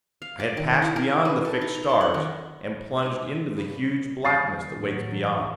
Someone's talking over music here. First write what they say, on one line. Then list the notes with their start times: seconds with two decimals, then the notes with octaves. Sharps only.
I had passed beyond the fixed stars and plunged into the huge blackness that waits beyond.
0.22 F5
0.40 D5
0.57 D#3
0.82 E4
0.96 A#4
1.25 B4
1.45 A4
1.61 D#4
1.75 A#5
1.89 A5
2.01 F#5
2.14 D#3
3.02 G#3 D#4 G#5
3.57 C#3 G3 B4
4.25 D#2 G3 F#4 A6 C7
4.74 A2 F#3
5.11 E3